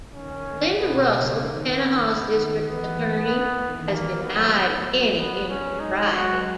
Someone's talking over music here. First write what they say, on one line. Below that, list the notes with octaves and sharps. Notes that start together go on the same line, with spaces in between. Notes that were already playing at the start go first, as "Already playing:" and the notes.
Lynda Russell, Tenaha's district attorney, has denied any impropriety.
D#3 C#4
B2 B3
C#3 A#3
D#3
B3
D#3
E3 B3
D#3
A#3
F#3 B3
F#3
B3
G#3 C#4
D#4
F#4